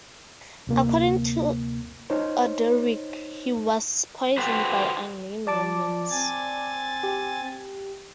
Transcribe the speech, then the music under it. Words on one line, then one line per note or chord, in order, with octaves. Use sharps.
According to Orderic, he was poisoned by unnamed Normans.
D2 C3 A#3
D#4 C5 C#5
F#4 G4 A4 B4 C5
F3 D5 A5 D6
C4 G#5 A6
G4